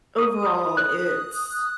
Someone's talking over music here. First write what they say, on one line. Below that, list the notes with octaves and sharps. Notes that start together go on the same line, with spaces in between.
overall, it's
D#6
F#6